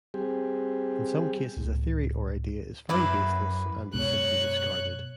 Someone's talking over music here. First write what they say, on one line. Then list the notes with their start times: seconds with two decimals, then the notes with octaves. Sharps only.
In some cases a theory or idea is found baseless and is simply discarded.
0.14 G3 C4 G4 G#4
1.57 C#2 A2
2.89 F#2 E4 B4 D6
3.94 F#2 B2 G#3 C#5 F#6